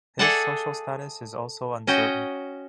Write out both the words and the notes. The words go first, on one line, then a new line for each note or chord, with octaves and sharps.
His social status is also uncertain.
G#4 A4 D5 E5 F#5 A5
C#4 F#4 D#5 G5